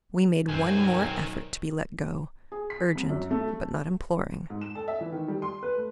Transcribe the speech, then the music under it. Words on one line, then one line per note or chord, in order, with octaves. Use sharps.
We made one more effort to be let go, urgent, but not imploring.
B1 F#2 D#3 C4 G#5
G#4
B6
C2
F#2
A3
G#2
E7
A4
E5
E3
D#3
G3
C6
B4
A3